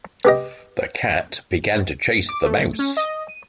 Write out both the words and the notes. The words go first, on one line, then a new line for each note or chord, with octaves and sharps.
The cat began to chase the mouse.
B3 G4 D#5
D6
A3
C#4
D#5
D#7